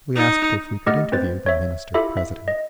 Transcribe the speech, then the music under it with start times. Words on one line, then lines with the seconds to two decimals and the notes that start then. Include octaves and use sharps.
We asked if we could interview the Minister-president.
0.16 D#4
0.86 A3 G4 D#5 F#5 F6 A6
1.12 C4 B4 C5 A6
1.46 C#5 E5
1.94 E4 F4 G4 A4 E5 B5
2.17 E5
2.48 D#5